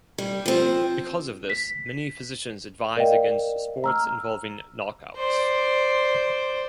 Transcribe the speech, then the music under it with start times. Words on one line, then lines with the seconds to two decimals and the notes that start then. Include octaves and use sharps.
Because of this, many physicians advise against sports involving knockouts.
0.18 G3
0.46 F3 C4
1.50 B6
2.96 A#4 D5 D#5 F5 G5
3.84 A#5 E6 F6
5.17 C5 D5